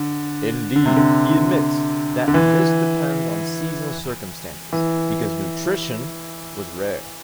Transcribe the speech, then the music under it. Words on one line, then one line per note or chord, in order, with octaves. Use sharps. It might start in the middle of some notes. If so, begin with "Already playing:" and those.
Indeed, he admits that this depends on seasonal circumstances, because nutrition was rare.
Already playing: D3
D3
C3
D3
D3
E3
E3